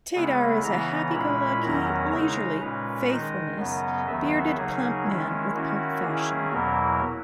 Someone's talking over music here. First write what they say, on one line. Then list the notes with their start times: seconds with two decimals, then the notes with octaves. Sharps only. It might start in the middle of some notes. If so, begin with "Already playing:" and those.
Taidar is a happy-go-lucky, leisurely, faithfulness, bearded plump man with punk fashion.
0.15 C#3 G#3 B3 E4
0.64 C#3 E3 B3 A#5
1.13 A#2 G#3 C#4 E4 B5
1.62 E2 D#3 F#3 C#4 E4 A#5
2.11 C#3 G#3 D#4 A#5
2.61 A#2 G#3 C#4 B4
3.09 D#3 G#3 D#4 D#5
3.59 F#2 C#3 F#3 B3
4.07 D#2 D#3 F#3 B3 E5
4.57 C#3 F#3 A#3 D#4 G#4
5.05 D#3 G#3 C#4 E4
5.55 D#3 A#3 C#4 E4 F#4
6.04 D#3 A#3 C#4 E4 G#4
6.52 E2 B2 F#3 A#3 E4 A#4